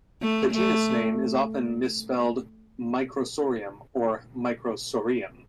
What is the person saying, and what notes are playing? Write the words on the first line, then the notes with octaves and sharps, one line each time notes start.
The genus name is often misspelled "Microsorium" or "Microsoreum".
A3
A3